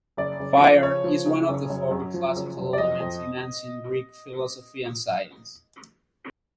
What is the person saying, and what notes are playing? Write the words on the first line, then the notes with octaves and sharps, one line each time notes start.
Fire is one of the four classical elements in ancient Greek philosophy and science.
F#1 D5
F#1
F3
C#3 C#5
F3
C#3
F#1
F#2
F#2
F3
F#1
F#2
D5
F2 D#5
F2